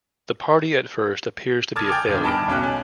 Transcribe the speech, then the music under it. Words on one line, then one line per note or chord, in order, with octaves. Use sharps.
The party at first appears to be a failure.
A5 D6 D#6 F6 G#6 A6
G5 G#5 D6 D#6 F6
G2 D#3 B3
G#5 A5 B5 D6 F6 D7
B1 B2 C#4 G#4 G5 F#6
G#5